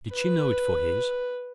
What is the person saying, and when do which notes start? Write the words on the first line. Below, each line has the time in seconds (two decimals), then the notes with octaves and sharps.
Did she know it for his?
0.13 B4